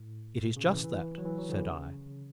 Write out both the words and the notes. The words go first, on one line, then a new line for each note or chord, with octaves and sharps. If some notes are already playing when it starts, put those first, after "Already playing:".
"It is just that," said I.
Already playing: A2
B2
C#3
E3
E3
F#3
E3
F#3
D3
E3
C#3